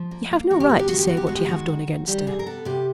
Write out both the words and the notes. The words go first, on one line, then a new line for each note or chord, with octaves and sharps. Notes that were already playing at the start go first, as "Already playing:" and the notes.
You have no right to say what you have done against her.'
Already playing: F3
A#3
A#3
D#3 F#4
G4
B3 F#4
G4
D#3 F#4
G4
B3 F#4
G4
G#3 F#4
G4
D#3 F#4
D#3
D#3
G3 G4
C3 G#4
A#4
B3 A4
C3 G4